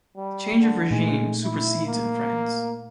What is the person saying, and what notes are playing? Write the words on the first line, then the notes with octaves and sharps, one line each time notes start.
The change of regime supersedes in France.
G3
D3
A#2 G#3 A3 D#4
E4
A#3